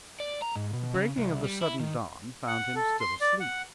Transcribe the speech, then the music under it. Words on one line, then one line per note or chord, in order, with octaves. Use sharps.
The breaking of the sudden dawn found him still asleep.
D5
A#5
G#2
B2
C#3
C2
G3
E4
D#3
F#5
A4
C6
D5
F#5